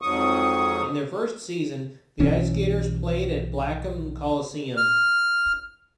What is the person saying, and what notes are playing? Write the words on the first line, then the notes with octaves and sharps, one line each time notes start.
In their first season, the IceGators played at Blackham Coliseum.
F2 G#2 F#3 C#6 D#6
B1 E3 C#4
F6